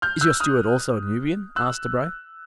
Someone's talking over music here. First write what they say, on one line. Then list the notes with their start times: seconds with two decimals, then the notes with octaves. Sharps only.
"Is your steward also a Nubian?" asked Debray.
0.02 F6 G6
0.21 E6 F#6
0.40 D#6 F6
1.56 E6 F#6